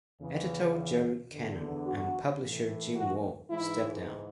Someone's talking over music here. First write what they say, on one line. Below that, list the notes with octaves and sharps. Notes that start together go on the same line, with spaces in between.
Editor Joe Cannon and publisher Jim Wall stepped down.
E2 C#3 E3
E2 D3
F#4
A2 E3
F#4
G#2 E3 E4